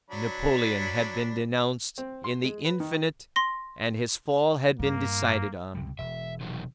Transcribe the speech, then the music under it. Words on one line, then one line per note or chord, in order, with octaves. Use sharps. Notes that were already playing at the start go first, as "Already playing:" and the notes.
Napoleon had been denounced in the infinite and his fall had been decided on.
F#3 D4 B5
C4
C6
G#3
B4
D#3
C6 A#6
G2 A#3
C#2 C3 G3
E1 E5
C3 D#3 F#3